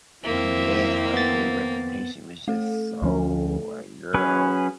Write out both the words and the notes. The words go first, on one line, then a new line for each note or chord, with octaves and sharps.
Uh, yes, like, they reputation was just so like, girl,
F2 D#3 A#3 C4 E4 E5
B3 A6
A3 A4
D2 F3 C#4
F#3 C#4 G#4 B4 C#5